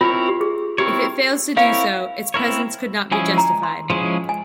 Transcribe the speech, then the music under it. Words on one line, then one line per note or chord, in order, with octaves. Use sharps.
If it fails to do so its presence could not be justified.
C4 E4 F4 A#4 C#5
G4
G#4
C4 E4 G4 A#4 C#5
C4 E4 A#4 C#5 F5
C4 E4 A#4 C#5
F3 G#3 C#4 E4 G#4 G#5
A#5
C6
F3 G#3 C#4 E4 G#4 C6
G#5